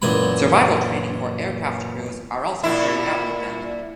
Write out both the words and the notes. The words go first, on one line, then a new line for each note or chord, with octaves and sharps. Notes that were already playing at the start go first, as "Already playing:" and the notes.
Survival training for aircraft crews are also carried out with them.
F#2 A#2 E3 G#5 B5
A#2 E4